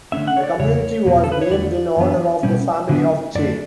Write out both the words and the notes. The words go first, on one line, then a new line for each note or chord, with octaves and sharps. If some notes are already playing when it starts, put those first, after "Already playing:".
The community was named in honor of the family of J.
D3 A3 C#4 E5
F#5
C#5
D5
E2 C#3 E3 C#5
E2 B2 F#3
A4
B4
C#5
E2 D3 A3 D5
F#2 E3 B3 D4
B2 G3 C#4
D3 F#3 B3 D4
F#2 D3 A3 D4 D5